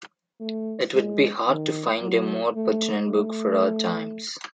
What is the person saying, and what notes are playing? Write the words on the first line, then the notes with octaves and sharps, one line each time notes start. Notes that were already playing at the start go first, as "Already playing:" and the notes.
It would be hard to find a more pertinent book for our times.
A3
G#3
D#3
F#3
A3
A3